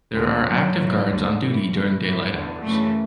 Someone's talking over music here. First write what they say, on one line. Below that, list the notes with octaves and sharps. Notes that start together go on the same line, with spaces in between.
There are active guards on duty during daylight hours.
D2 D3 G#3
F#2 D3 F#3
G#2 E3
D2 D3
F#2 E3
E2 B2
G#2 E3
E2 D3
F#2 C#3 E3 A3